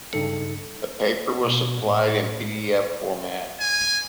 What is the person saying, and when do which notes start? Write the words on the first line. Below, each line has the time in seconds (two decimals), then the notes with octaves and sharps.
The paper was supplied in pdf format.
0.13 G2 C#3 D#4 A4 C#7
1.42 B2
1.81 A2
3.60 G#5